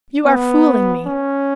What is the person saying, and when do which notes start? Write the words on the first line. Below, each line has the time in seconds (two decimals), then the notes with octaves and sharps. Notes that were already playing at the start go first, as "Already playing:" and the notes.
"You are fooling me."
0.25 B3
1.06 C#4